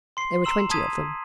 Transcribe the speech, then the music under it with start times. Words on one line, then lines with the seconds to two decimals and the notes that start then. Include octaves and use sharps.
There were twenty of them.
0.17 C6 C7
0.44 A#5 C6 E6 E7 F#7
0.70 A5 A#5 D#6 G#6 B6 D#7